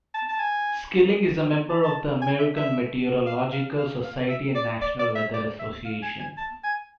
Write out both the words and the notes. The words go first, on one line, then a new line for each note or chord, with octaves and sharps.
Skilling is a member of the American Meteorological Society and National Weather Association.
A5
A5
G#5
A5
A5
G#5
E5
E5
F5
F5
F5
F5
E5
D5
D5
D5
E5
D5
E5
F5
G#5
G#5
A5
G#5